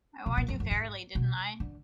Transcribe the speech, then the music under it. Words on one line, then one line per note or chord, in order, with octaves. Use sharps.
I warned you fairly, didn't I?
B2
A#2
F#2
F#2
G#2
B2
D3